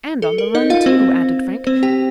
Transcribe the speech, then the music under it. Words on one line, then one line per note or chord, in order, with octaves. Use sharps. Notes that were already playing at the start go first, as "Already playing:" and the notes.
"And on the run, too!" added Frank.
A4
A#4
D#4 D#5
F4 F5
C4 C5
C4 C5
G4 G5